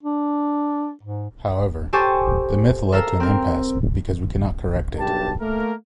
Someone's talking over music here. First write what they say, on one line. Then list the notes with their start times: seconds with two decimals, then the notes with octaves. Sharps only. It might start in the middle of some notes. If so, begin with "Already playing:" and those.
However, the myth led to an impasse because we cannot correct it.
0.03 D4
1.03 G#2
1.93 G4 A4 C5 G#5 A5 C#6
2.92 A4 A#4 F5 A#5 E6
3.20 C4 A#4
4.99 B1 G2 G4 A#4 A5
5.40 A3 A#3 A#4